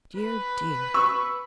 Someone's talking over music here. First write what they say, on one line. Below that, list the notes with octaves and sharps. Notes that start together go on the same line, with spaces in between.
Dear! dear!
B4
C#6 E6